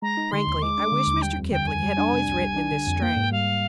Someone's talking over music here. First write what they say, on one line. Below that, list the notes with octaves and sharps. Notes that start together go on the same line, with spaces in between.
Frankly, I wish Mr. Kipling had always written in this strain.
G#3 A#5
D#4
D3 C6
D#2
G#3 D6
D4
D3
D#2
G3 G5
F2
D3 G5
F2 G#5
G3
D4
C3
C2
G3
D4
D3
F2
A#3 G5
G#2
G3 F5